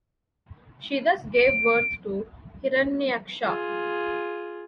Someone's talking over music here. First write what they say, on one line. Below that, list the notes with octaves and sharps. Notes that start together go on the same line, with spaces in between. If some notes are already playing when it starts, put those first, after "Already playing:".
She thus gave birth to Hiranyaksha.
D7
F4 G#4